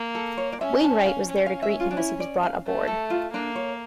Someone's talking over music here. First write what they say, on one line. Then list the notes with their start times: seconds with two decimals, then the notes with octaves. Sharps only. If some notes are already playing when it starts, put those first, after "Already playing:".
Wainwright was there to greet him as he was brought aboard.
Already playing: A#3
0.15 A4
0.38 C#5
0.52 D5
0.61 C#4 E5
0.83 A5
1.06 F5
1.29 C#4
1.46 F5
1.62 E5
1.80 F4
1.91 D4
1.97 E4
2.20 D5
2.43 F5
2.66 A3
2.87 A4
3.10 F4
3.33 A#3 D4
3.56 C#5